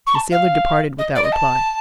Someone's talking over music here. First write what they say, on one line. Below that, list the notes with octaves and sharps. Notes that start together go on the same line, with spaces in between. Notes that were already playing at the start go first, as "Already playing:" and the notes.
The sailor departed without reply.
C#6
A5
F5
D#5
D5
D#5
A5